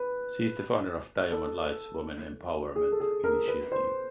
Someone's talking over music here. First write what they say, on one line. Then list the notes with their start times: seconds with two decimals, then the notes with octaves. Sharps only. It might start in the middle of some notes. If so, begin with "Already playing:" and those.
She is the founder of Diamond Lights Women Empowerment Initiative.
Already playing: B4
1.32 A4
2.76 G#4
2.92 A4
3.00 G#4
3.24 A#4
3.48 B4
3.72 C5